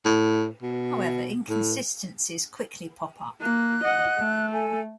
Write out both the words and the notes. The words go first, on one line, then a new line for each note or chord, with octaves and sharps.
However, inconsistencies quickly pop up.
A2
B2
A2
A#3 F#6
D#5 F#5
A3
A4 G#5